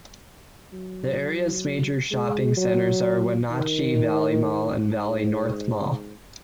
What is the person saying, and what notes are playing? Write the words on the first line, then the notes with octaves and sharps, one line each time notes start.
The area's major shopping centers are Wenatchee Valley Mall and Valley North Mall.
F#3
G#3
F#3
D#3
G#2